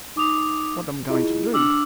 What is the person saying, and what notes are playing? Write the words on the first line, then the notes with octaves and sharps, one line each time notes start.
"What um going to do?"
D#4 D6 D#6 F7
E4 F4 G#4 D#5
D4 D6 E6 F6 F#7